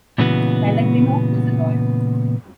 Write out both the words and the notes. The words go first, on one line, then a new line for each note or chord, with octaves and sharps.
Pellegrino was a lawyer.
A#2 C#3 E3 G#3 B3 F#4